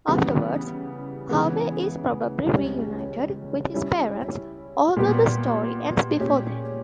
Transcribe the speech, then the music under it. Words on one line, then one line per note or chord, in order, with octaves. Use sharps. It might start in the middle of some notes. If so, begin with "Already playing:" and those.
Afterwards, Harvey is probably reunited with his parents, although the story ends before then.
C#3 E3 G3 B3
C#3 E3 G#3 B3
C#2 C#3 G3 C#4
G3 C#4 E4
A#2 G3 B3 G4
A#2 G#3 C#4 G4